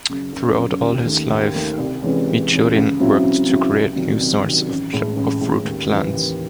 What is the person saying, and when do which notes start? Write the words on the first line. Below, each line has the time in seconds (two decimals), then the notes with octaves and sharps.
Throughout all his life, Michurin worked to create new sorts of fruit plants.
0.09 F#2 C#3
0.33 F#1
0.57 F#2 C#3
0.82 D#2
1.06 D#3 A3
1.30 D#2
1.55 D#3 A3
1.78 C2
2.02 C3 E3 G#3 C#4
2.27 C2
2.51 C3 E3 G#3 C#4
2.75 C#2
2.99 C#3 F#3 C4 E4
3.23 C#2
3.47 C#3 F#3 C4 E4
3.71 C2
3.96 C3 D#3 F#3
4.20 C2
4.44 C3 D#3 F#3
4.68 A1
4.93 A2 G#3
5.16 A1
5.41 A2 G#3
5.65 D#2
5.89 C#3 E3
6.14 D#2